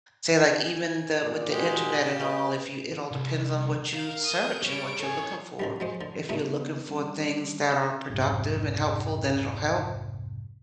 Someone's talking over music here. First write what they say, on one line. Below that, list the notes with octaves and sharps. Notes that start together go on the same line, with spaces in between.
say like even the with the internet and all, if you it all depends on what you search and what you're looking for- if you're looking for things that are productive and helpful, then it'll help;
G#5
A#2 D5
G#3 F#4 G4
B4 D#5
C2 C3
A#4 F5
D#6 G6
G3 C#5 D7
A4 C#5 G#5
D3 D#3 G3 C#4 F#4
F3 F#3 G#3 C5
D3
G2 A#2 C#3 A3 B3
D#3 G3 C#4
C2 F2 G#2 C3